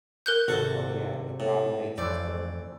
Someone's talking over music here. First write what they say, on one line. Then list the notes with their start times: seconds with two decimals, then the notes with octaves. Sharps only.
Oh, yeah, with the cognates and stuff.
0.26 A#4 F#6 G6
0.48 G#1 C3 F#4 A4
1.40 A2 F#5
1.98 F2 E3 A3 C4 D5